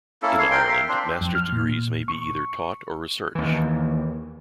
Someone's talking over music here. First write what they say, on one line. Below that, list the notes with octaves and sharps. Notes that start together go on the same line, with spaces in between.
In Ireland, master's degrees may be either Taught or Research.
A#3 C#4 E4 A4
C#5 F5
A#4 G5 C6
E5 F5
C4 D4 F4
F2
F6
A#2
C#6
D#2 E3